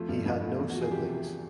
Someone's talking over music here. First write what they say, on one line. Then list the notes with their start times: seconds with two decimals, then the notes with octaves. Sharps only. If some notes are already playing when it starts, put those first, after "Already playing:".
He had no siblings.
Already playing: F2 A3 F4
0.08 G2
0.26 G2
0.42 A3
0.60 E2
0.70 F#4
0.76 F3
0.81 G#4
0.92 C3 G4
1.09 C3